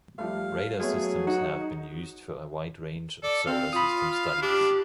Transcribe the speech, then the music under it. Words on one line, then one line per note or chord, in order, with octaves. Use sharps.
Radar systems have been used for a wide range of solar system studies.
F3 G3 A3 F5
F#3 A3 B3 G#4 C#5
D#4 F#4
A4 D5
C4 F5
F4 B5 D#6
D4 G4